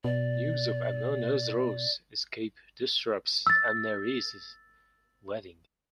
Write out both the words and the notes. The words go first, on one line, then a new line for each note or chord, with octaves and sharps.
News of Amonasro's escape disrupts Amneris' wedding.
B2 D5
E6 A6